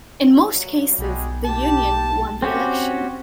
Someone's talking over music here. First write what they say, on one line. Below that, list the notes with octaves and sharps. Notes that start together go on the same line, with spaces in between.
In most cases, the union won the election.
G2 A#2 F#3
B1 G3 G#3 F#4
G4 A5
C4 C#4 F#4 G4